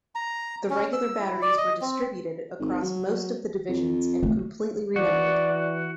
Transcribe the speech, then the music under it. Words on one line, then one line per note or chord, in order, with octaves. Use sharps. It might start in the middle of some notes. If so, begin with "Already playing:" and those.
The regular batteries were distributed across most of the divisions and completely renumbered.
A#5
C#4
E6
E4
D5
D#5
C4
G#1
F#3
F2
A3
E3 F#4 D5